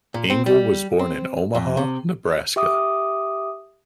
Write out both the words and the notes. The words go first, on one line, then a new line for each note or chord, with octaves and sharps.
Ingle was born in Omaha, Nebraska.
A#2
C4
G3
C4
F2
C3
G4 E5 D6 D#6